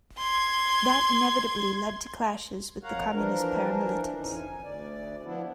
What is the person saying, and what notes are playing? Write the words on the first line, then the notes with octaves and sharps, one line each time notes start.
That inevitably led to clashes with the communist paramilitants.
C6 G#6
F2 A#4 C#5 F5 F#5 A#5
E3 F3 D4 A#4
F2 D3 E3 C#4 D#4
G#5
D2 D5
F3 B3 D4 E4